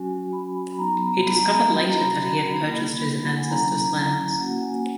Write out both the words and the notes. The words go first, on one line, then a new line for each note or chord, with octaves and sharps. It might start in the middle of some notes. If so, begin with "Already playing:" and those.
He discovered later that he had purchased his ancestors' lands.
Already playing: F#3 C#4 F#4 G#5
B5
B5
F#3 B3 D#4 A#5
B5
A#5
G#5
A#5
F#3 C#4 F#4 B5
A#5
B5
A#3 E4 B5
B5
F#5
G#5
F#3 C#4 E4 A#5
A#3 C#4 F#4 F#5
G#5